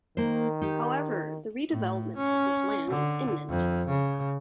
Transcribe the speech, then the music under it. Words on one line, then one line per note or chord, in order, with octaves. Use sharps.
However, the redevelopment of this land is imminent.
D#3 A#3 C5
D#4 G4
A2
C#4
D3
F2
C#3